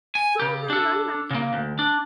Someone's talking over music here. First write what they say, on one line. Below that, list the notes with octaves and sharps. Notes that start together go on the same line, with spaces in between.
So very unlucky!
G#5
C#3 G4
D4 A4
C#3 A#3
D2
D4